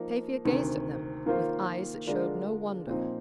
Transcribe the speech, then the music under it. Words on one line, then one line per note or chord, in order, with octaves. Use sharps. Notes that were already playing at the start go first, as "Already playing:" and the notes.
Tavia gazed at them with eyes that showed no wonder.
Already playing: F3 A#3 D#4
D2 C3 D#3
D#3 A#3 F4 C5
D3 G#3 D4 F4 A#4
A#2 F3 C4 D#4